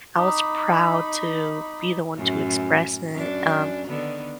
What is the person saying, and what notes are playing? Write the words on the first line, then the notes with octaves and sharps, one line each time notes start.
I was proud to be the one to express it. Um,
D#4 A#5 B5 D6 D#6
F#2 A2
F#2 D4
D3 D#3 B3